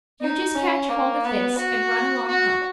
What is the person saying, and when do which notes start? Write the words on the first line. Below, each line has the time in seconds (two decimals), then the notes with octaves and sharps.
You just catch hold of this and run along home.
0.21 D#4
0.55 C#4
0.90 A#3
1.25 B3
1.58 F#4
2.27 F#4